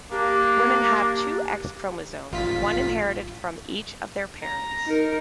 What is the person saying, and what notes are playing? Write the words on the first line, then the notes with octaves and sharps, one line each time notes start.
Women have two X chromosomes, one inherited from each of their parents.
A#3 D4 G4
A1 F4 B6
A#5
D#4 A#4